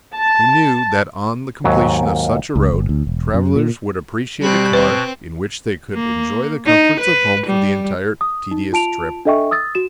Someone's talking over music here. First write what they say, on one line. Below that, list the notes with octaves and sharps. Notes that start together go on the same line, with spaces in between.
He knew that on the completion of such a road, travelers would appreciate a car in which they could enjoy the comforts of home for the entire tedious trip.
A5
D#2 G#2 F#3
C#2
G1
D2
E1
F#2
A#2
B2 G3 C4 B5
C4 B4
A#3
D#4
B4
G3
D#6
D#4
F4 A5 D7 F7
D4 A4 D#5 E5 G5 C#6
D#6 E6 A6
F#4 E7